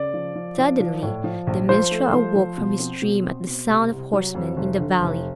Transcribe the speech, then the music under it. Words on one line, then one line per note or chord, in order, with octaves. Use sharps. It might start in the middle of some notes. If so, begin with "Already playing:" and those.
Suddenly the minstrel awoke from his dream at the sound of horsemen in the valley.
Already playing: C#3 D5
F3
F3
F3
F3
A2
F3
A#1
F3 C5
A3
F3
F3
B2
C4
B2
C4
B2
C2
C2
F#3
F2
F1
D3
F1